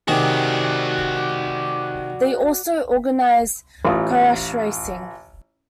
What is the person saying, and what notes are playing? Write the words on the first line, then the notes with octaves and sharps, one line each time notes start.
They also organise currach-racing.
C3 D#3 F#4 G#4 D5
A1 F4 D#6